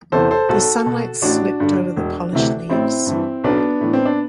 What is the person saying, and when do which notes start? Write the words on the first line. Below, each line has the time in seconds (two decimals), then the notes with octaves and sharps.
The sunlight slipped over the polished leaves.
0.12 E2 C3 E3 A4 C5
0.31 A4 C5
0.49 B1 F#4 A4
0.86 B2
1.22 A1 D4 F#4
1.60 G2 D3
1.96 E1
2.33 D2 C3 E3
2.70 A1 C4 E4
3.06 G2 E3
3.44 B1 B3 D4
3.80 A2 E3
3.93 C4
4.05 D4